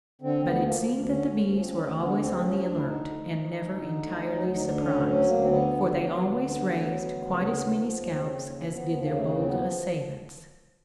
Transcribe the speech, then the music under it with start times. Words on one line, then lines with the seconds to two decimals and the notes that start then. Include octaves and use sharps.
But it seemed that the bees were always on the alert and never entirely surprised, for they always raised quite as many scalps as did their bold assailants!
0.22 D3 C4
0.43 D2 B3
0.65 F3 A#3
0.87 D2
1.10 D3 C#4
1.32 D2
1.54 F3 C#4
1.62 C4
1.68 C#4
1.76 D2
1.97 D3 B3
2.19 D2 C4
2.41 F3 C#4
2.64 D2 D4
2.76 E4
2.86 D3 D#4
3.08 D2
3.30 F3
3.52 D2
3.74 D3
3.96 D2
4.18 F#3
4.39 D2
4.55 D#4
4.62 D3 D4
4.84 D2 C#4
5.06 F#3 C#4
5.28 D2 A#3
5.43 C4
5.50 D3 B3
5.72 D2
5.94 F#3
6.16 D2
6.38 D3
6.60 D2
6.82 F#3
7.04 D2
7.26 C#3
7.47 D#2
7.70 F3
7.92 D#2
8.13 C#3 C4
8.36 D#2
8.58 F3
8.73 B3
8.80 D#2
9.02 C#3 A#3
9.16 A3
9.24 D#2 A#3
9.37 C4
9.46 F3 B3